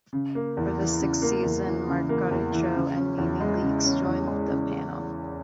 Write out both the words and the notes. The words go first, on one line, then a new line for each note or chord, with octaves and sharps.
For the sixth season, Margaret Cho and NeNe Leakes joined the panel.
C#3
A#3
E2
E3
C#3
A#3
E2
E3
C#3
A#3
E2
E3
C#3
C#4
E2
G#3
C#3
C#4
E2
G#3
C#3